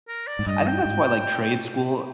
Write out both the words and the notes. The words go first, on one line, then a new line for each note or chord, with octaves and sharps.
I think that's why, like, trade school
A#4
D5
G#2
G2 D#5
G5
G#2